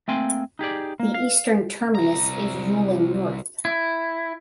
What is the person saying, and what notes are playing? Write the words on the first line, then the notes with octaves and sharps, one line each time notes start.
The eastern terminus is Yulin North.
A3 A#3 C4 G5 G#5 C6
D#4 G4 G#4 D5
A#3
F5
C2 A#5
E4